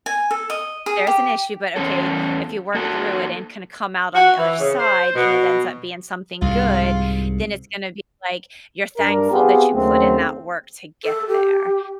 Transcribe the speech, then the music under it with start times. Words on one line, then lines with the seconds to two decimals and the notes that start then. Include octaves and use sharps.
there's an issue, but okay. If you work through it and kinda come out on the other side, and it ends up being something good, then it's gonna be, like, you're thankful that you put in that work to get there.
0.06 G#5
0.31 A4
0.50 D#5
0.86 G#4
1.07 G4
1.76 E2 C#4 A4
2.75 A#3 F#4 A4
4.15 F#4
4.38 E3
4.60 C#3
4.79 C5
5.15 B2
6.42 C2 G#2 F4
8.98 G2 D4 A#4
9.31 B3 C4 F4 G4 G#4
9.74 D#2 C#3 F#3 A3 C4
11.03 A4
11.29 G4